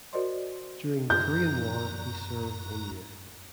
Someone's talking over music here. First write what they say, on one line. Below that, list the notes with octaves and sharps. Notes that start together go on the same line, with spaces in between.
During the Korean War he served one year.
F#4 A#4 C5 D5 D#5 C6
F#2 A#5 G6